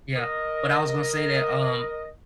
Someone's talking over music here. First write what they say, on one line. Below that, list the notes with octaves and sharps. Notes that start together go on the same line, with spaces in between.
yeah. But I was gonna say that, um,
A#4 D#5